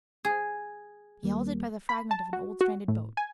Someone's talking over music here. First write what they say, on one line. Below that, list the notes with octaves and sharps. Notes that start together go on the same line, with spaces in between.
He halted by the fragment of an old stranded boat.
G#4
D#2 G3 A#3
B5
A5
F#4
F#4
A2
G#5